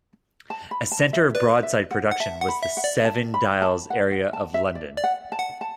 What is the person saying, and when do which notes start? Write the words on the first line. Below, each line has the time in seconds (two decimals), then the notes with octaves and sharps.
A centre of broadside production was the Seven Dials area of London.
0.50 A5
0.71 B5
0.92 A5
1.13 E5
1.35 B4 D5
1.63 E5
1.91 F#5
2.11 F#5
2.20 E5 A5
2.41 F#5
2.48 B5
2.63 E5
2.77 F#5
2.84 D5
3.05 A5
3.34 B5
3.62 A5
3.90 F#5
4.12 F#5
4.33 A5
4.54 E5
4.75 D5
4.97 D5
5.04 F#5
5.32 A5
5.39 F#5
5.61 A5